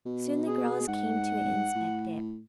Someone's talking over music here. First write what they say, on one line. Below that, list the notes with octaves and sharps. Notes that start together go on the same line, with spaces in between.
Soon the girls came to inspect it.
B2
G#4
G#2 F#5
A2